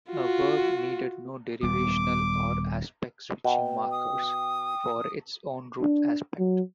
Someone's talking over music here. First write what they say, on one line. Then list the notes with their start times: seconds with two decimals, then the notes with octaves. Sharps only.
A verb needed no derivational or aspect-switching markers for its own root aspect.
0.10 F4 F#4
1.63 D#1 G3 B3 D6
3.44 B2 G5
3.91 D#6
5.82 D4
6.39 F#3